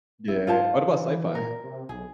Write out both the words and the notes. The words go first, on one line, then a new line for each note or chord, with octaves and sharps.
Yeah. What about sci-fi?
F1 E4
G#2 F4 C5 A5
E3
A#2 A#4
C3
B1 G#4